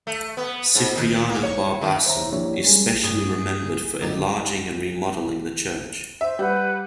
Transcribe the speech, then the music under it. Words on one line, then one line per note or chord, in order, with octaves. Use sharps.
Cipriano Barbasan is specially remembered for enlarging and remodeling the church.
A3
B3
G#2
D#3
A#3
C#5
D#3
C5 C#5 E5 A#5
F3 A#3 D4 E4 G4 C#5
G3 G#3 C#4 G#4
G2 G#4
A1 D2 D#4 D5
C5 E5
G3 B4 F#5 G6